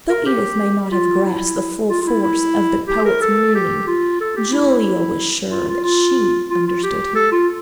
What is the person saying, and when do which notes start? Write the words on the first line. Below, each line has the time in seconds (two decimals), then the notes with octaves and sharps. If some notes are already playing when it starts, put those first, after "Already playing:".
Though Edith may not have grasped the full force of the poet's meaning, Julia was sure that she understood him.
0.09 A#4
0.26 G4
0.92 F4
1.24 E4
1.90 F4
2.02 F4
2.07 E4
2.22 E4
2.88 G4
3.05 A#4
3.22 A4
3.55 G4
3.87 F4
4.21 A4
4.36 G4
4.52 E4
5.51 F4
5.68 F4
5.84 F4
6.50 F4
6.67 F4
6.83 G4
7.15 A4
7.32 F4